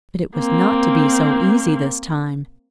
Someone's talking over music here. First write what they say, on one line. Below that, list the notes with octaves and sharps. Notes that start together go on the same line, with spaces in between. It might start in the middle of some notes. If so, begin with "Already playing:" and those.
But it was not to be so easy this time.
A#3 C4